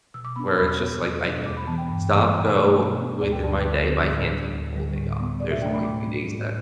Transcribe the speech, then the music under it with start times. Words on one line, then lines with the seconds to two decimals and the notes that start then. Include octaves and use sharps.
where it's just like I can stop-go within my day, but I can't take a whole day off. There's only a few days that
0.14 B2 E6
0.25 D6
0.36 B3 D4 B5
0.47 A5
0.57 E2 B5
0.79 B2 B3
1.01 E2
1.24 B2 G3 D4
1.45 E2 D6
1.57 B5
1.67 E3 B3 A5
1.78 G5
1.89 G2
2.11 E3 G3 B3
2.34 B2
2.55 A3 D4
2.77 B2
2.99 B3 D4
3.21 D2 D5
3.32 G5
3.43 D3 G3 D4 A5
3.53 B4
3.64 D2 B4
3.86 D3 G3 B3 D4
4.09 A2
4.31 G3 D4
4.53 D2
4.75 D3 G3
4.96 A2
5.18 G3 B3
5.40 B2 D5
5.51 E5
5.62 A3 D4 G5
5.73 B5
5.84 A2 D6
6.06 G3 D4
6.28 A2